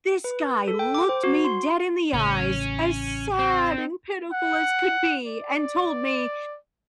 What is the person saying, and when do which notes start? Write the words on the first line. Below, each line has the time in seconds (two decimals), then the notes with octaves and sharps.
this guy looked me dead in the eyes, as sad and pitiful as could be and told me,
0.24 B4
0.68 A4
0.79 G5
0.95 D6
1.09 C5
1.24 F#4
1.45 C6
2.14 A1 C#3 C#4
3.39 C4
4.33 F#5
5.27 D5